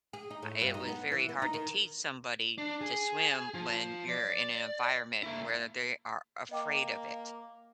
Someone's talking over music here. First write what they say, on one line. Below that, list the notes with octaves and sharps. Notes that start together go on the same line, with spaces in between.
it was very hard to teach somebody to swim when you're in an environment where they are afraid of it,
G#4
D#4
A2
G2
D#4
B3
E3
B3
D#4
D#3
D4
G#4
F3 F4
D5
A#3 E4
A#3 D#5 G5 D6